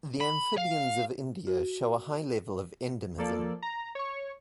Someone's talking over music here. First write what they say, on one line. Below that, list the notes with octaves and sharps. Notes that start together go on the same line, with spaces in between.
The amphibians of India show a high level of endemism.
B5
F5
F#4
F3 A#3 A4 D5
A#5
C#5 C#6